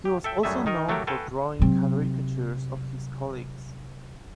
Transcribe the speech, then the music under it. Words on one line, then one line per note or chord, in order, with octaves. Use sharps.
He was also known for drawing caricatures of his colleagues.
G4
A4 E5 G5
F#2 F#3 G3 A3 G#4 E5
D#3 D#4 A#4
F#3 A3 F#4 G4 A#4
F#4 A4 B4 F5 G5 G#5
C3 F#3